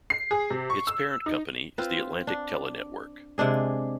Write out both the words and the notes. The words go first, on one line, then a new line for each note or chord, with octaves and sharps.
Its parent company is the Atlantic Tele-Network.
C7
G#4
C3
C#6
E6
D#4
C4 F4 B4
D4
C3 G#3 D4 G#4